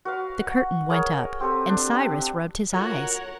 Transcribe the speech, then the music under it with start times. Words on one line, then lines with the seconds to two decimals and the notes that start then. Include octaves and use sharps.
The curtain went up and Cyrus rubbed his eyes.
0.05 F#4 B4 F5
0.39 F#5
0.90 G#4 A#4 C#5
1.40 C4 G4 A4 B4
1.69 D4
1.95 D4
2.73 F4 F#4 A4 A#4 C#5 F#5 A#5 A#6